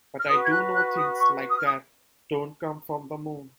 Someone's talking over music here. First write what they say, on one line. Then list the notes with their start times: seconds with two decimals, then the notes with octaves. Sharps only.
But I do know things like that don't come from the moon.
0.19 F6
0.28 B4 D#6
0.31 F#4
0.43 G#6
0.50 F#6
0.73 F#6
0.96 D#6
1.18 C#6
1.48 D#6
1.57 F6
1.65 D#6